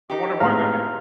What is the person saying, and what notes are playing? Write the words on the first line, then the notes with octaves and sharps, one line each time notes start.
I wonder why that is.
D#4 G4
G#1 A2 B3 F5 A#5 F6